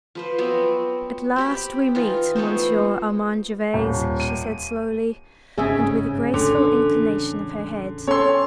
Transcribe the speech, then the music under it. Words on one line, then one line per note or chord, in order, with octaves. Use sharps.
"At last we meet, Monsieur Armand Gervase!" she said slowly and with a graceful inclination of her head.
F3 B4 C5
F#3 B3 C4
C4 G4 B5
E3 D#4 F4
A3 B3 D#4 C5
D#1
D#7
G1 G#2 C#3 C4 C#4 G#4 E5
A1 E2 D3 D4
C4 C#4 A4 C#5 C6